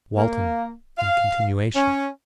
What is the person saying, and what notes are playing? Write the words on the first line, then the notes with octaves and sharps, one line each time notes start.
Walton, in continuation.
A#3
F5
C#4